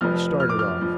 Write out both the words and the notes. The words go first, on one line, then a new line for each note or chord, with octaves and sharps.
He started off.
F1 F2 F3 F6
F6
D6
F6
F3